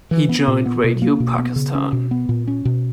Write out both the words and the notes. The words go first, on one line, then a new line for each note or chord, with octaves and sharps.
He joined Radio Pakistan.
E3
B3
A#2
B3
B2
A#3
B2
B3
C#3
C#4
B2
B3
A#2
C#4
B2